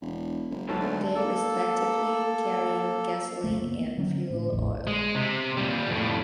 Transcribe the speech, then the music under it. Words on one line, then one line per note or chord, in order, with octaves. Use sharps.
They respectively carrying gasoline and fuel oil.
E1
F#1
B1 G#2 F#3 A4
D2
A#3 A4
C#2 F#2 C#3 A3
A#3 B3
D3 F#3 C4 C#4
A2 D3
A1 E2 A2
G#3
C3
A#2 G3
F2 A2